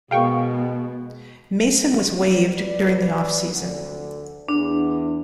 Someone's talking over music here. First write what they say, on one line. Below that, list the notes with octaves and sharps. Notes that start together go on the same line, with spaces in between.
Mason was waived during the offseason.
B2 G#3 B3 G#4 A#4 F5 G5 C#6
B4 D5
D2 D3 A3
E2 D4